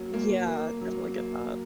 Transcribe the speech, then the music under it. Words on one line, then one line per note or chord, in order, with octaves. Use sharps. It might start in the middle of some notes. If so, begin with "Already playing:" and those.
Yeah, definitely get that.
Already playing: F#3 A#3 C#4
A#3
A#3
F#3
A#3